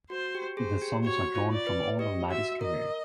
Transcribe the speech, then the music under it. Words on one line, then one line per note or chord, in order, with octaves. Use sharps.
The songs are drawn from all of Maddy's career.
F#4 C5
G4
G#4 C5
G4
F#4 C#5
F4
D5
B4
G4 D#5
F#4 E5
A#4 D#5